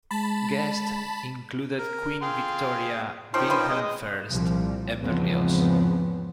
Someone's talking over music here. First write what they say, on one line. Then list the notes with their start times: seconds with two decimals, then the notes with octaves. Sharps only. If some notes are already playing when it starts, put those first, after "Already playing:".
Guests included Queen Victoria, Wilhelm I, and Berlioz.
0.11 G#3 A5 B5
1.78 A#4
2.22 G#4 F5 G5 C6
3.34 D#3 F3 C#4 D#4 C5 G5
3.50 B4 C5
3.69 G#3 D#5 D#6
4.30 C2 A#2 F3 G3
5.00 E2 G#2 C#3 F3 B3 C4